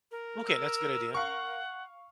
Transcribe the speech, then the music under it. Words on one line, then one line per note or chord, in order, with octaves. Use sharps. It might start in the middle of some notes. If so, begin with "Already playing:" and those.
Okay, that's a good idea.
A#4
E6
F5 F#5 C#6